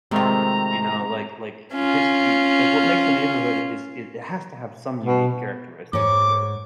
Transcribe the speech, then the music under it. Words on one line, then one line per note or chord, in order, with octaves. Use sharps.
You know? Like like, history like, what makes a neighborhood is it it has to have some unique characteristic to it.
C3 D#3 G#3 A3 C4 F4 A#5
C#4 F4
B2
G#2 C#5 D6